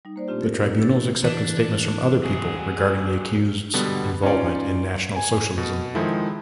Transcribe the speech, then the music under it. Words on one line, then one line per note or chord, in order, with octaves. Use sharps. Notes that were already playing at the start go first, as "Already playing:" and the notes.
The tribunals accepted statements from other people regarding the accused's involvement in National Socialism.
G3 D#4
A#3 C5 D5
A#2 A3 C4 D4 F4 G4
A4 A#4
D#4
E3 D4 G4 C#5 E6 A6
E3 D4
F#3 G#4
B2 D3 G3 B3
C#4 D#4 F4 C#5 D5
G#5
B2
D#3 F3 G#3 E4 A4